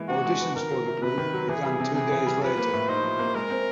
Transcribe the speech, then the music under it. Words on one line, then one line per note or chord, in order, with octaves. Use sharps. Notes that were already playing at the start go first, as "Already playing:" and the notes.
Auditions for the group began two days later.
Already playing: E3 G#3 A#3 B3
D4 F#4
G#3
B3
D#3 A#4
F#3
C3
C3 B4
D#3
F#3
E3 G#4
G3
C3
C3 G#4
E3
G3
F3 B4
A#3
A2
D#4 C5
F3
A#3
G#3 A#4
C4